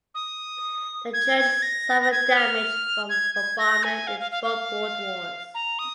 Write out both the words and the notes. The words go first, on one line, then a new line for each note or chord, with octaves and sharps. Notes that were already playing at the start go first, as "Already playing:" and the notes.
The church suffered damage from bombardment in both World Wars.
D#6
G#6
G#6
A#6
A#6
G#6
F6
G#6
G#6
A#6
G#5
F5
F5
F5
F5
A#5
D#6